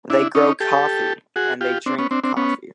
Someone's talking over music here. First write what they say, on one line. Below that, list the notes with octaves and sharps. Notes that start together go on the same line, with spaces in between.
They grow coffee and they drink coffee.
D4 E4
C#4 D#4
G4 A4
F#4 G#4
F4 G4
C4 D4
B3 C#4
C4 D4
C4 D4
B3 C#4